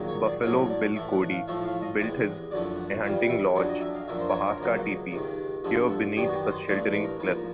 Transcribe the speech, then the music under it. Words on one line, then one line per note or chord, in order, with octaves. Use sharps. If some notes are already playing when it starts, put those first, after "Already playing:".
Buffalo Bill Cody built his hunting lodge, Pahaska Teepee, here beneath a sheltering cliff.
Already playing: A#1 G#2 D#3 F#3 A#3
C#5
D5
A2 F#3 A3 C#5
D5
A2 E3 A3 E5
F#5
F5
A2 F3 A3 E5
F5
D#5
E2 C3 E3 G#3
F#2 D3 F3 A3 D5
F#5
F2 C3 E3 G3 F5
E5
F2 D3 F#3 D5
D#5
E5
F5
F#2 D3 F3 A#3 E5
C5
C#5
C5
A#4
C#2 B2 F#3 A#3
C#2 C3 D#3
G2 D3 F3 G#3 A4
A4
F#2 D#3 G3 B3 G4
F#4
G4
C5
A1 G2 E3 A3 B4
B4
A#4
G#2 F3 A#3 B4